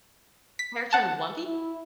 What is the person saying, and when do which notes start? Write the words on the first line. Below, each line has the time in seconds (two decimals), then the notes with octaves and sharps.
character in One Pi
0.59 B6
0.93 F#5 A5
1.47 E4